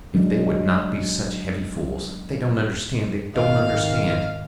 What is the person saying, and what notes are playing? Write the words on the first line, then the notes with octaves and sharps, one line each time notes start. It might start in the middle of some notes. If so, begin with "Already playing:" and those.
"If they would not be such heavy fools: they don't understand; they don't understand."
F#3 G#3 D4
G#1 D#3 D#5 F5